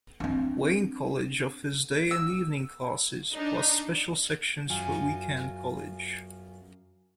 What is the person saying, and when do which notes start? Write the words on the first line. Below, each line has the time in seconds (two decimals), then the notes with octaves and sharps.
Wayne College offers day and evening classes, plus special sections for Weekend College.
0.20 C4 D4
2.11 E6
3.33 D4 D#4
4.70 F#2 F4 F#4 G#5